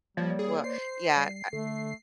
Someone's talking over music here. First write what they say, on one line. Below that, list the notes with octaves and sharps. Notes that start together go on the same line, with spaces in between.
Well, yeah. Eh,
F3 G3 A#3 C#5 D5
G#4
C5 C7
G3
D3 A3